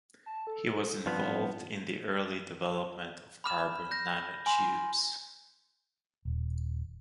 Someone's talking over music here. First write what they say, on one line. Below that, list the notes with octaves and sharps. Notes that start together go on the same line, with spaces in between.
He was involved in the early development of carbon nanotubes.
A5
A4
G2 F3 B3 C4
B5 F6 E7
G6 A#6
G#5 C6
D#1